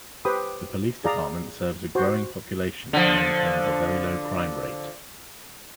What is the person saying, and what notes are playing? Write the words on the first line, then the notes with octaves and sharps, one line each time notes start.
The Police department serves a growing population and maintains a very low crime rate.
G4 B4 C5 G5 B5 D#6
G#4 D5 F5 A#5
F#4 C5
D3 F3